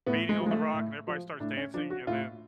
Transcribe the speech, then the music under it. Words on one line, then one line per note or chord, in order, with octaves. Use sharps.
beating on the rock and everybody starts dancing and then
A2 B3
G#3
F3
G#3
A3
A2
F3
A2 D4
C#4
F3 D4
F#4
A2 F4